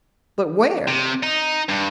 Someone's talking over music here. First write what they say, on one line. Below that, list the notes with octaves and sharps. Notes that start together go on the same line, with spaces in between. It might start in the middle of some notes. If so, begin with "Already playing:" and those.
But where?
C3
D#4
G2